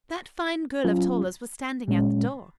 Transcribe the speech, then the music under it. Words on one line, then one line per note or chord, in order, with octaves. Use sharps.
That fine girl of Toller's was standing at the door.
F#3 C#4 F4
A#2 G#3 C#4